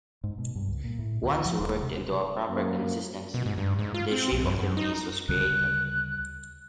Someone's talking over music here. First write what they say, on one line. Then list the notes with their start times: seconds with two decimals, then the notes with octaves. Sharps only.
Once worked into a proper consistency, the shape of the piece was created.
0.24 G#2
0.38 B2
0.56 G2
0.68 C#2
0.84 A#2
0.99 A2
1.23 D2
1.46 F3
1.59 D#1
1.83 C3
2.48 F#2 A#3
3.34 B2
3.46 G#2
3.58 G2
3.79 G#2
3.94 F4
4.12 C4
4.32 A#1
4.44 F#2
4.59 F#2
4.77 D#4
5.29 D2 C#3 G3 F#6